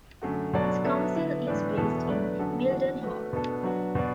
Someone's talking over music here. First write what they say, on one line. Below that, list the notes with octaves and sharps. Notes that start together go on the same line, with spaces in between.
Its council is based in Mildenhall.
F#2 D3 A3 F#4
B2 F#3 D4 A4 D5
F#3 B3 D4 A4 E5
D3 B3 E4
A2 E3 D4 B4 D5
E2 B2 B3 E4 A4
F#3 A3 D4 B4 D5
F#2 D3 B3 F#4 A4
E3 D4 F#4
A3 F#4 B4
B2 B3 D4 A4
F#3 D4 F#4 B4
B2 B3 F#4 D5